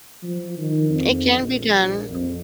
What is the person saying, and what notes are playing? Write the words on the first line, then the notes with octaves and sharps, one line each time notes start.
It can be done.
F3
D#3
F2
A#1
A#1
F2